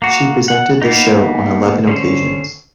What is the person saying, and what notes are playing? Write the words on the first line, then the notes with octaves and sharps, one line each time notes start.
She presented the show on eleven occasions.
A#3 F#4
F#5
A#3 B3 D#4
D3 C#4 C5